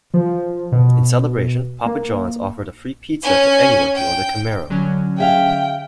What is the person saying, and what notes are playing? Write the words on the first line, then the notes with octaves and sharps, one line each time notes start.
In celebration, Papa John's offered a free pizza to anyone who owned a Camaro.
F3
B2
A#3
C#4 G#5
G5
D3 F#3 C#4
G#4 E5 F5 G5